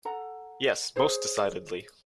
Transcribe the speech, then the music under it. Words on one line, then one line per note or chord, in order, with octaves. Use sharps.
Yes, most decidedly.
A4 F#5 A#5
G#4 C5 C#5